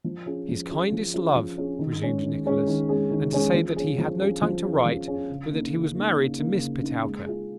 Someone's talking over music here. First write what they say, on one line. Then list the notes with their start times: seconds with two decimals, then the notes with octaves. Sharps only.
'His kindest love,' resumed Nicholas; 'and to say that he had no time to write, but that he was married to Miss Petowker.'
0.04 F3
0.26 C#4 F4 G#4
0.49 F3
0.70 C#4 F4 G#4
0.92 F3
1.14 C#4 F4 G#4
1.36 F3
1.58 C#4 F4 G#4
1.79 D#3
2.02 G#3 C#4 G#4
2.24 D#3
2.45 G#3 C#4 G#4
2.67 D#3
2.89 G#3 C#4 G#4
3.11 D#3
3.33 G#3 C#4 G#4
3.54 F3
3.76 C#4 G#4
3.98 F3
4.20 C#4 G#4
4.42 F3
4.64 C#4 G#4
4.86 F3
5.08 C#4 G#4
5.29 C#3
5.52 A#3 D#4
5.73 C#3
5.95 A#3 D#4
6.17 C#3
6.39 A#3 D#4
6.60 C#3
6.82 A#3 D#4
7.04 G#3
7.26 F4 G#4